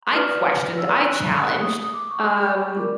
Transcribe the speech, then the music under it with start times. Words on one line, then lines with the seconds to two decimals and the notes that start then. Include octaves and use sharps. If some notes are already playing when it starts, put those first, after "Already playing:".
I questioned, I challenged. Um,
0.12 D4 F#4 B4 D5 F6
0.78 E6
1.12 F#6
1.45 F#6
1.61 D#6
1.78 D#6
1.94 D6
2.11 C#6
2.77 F4 A#4 D5 D6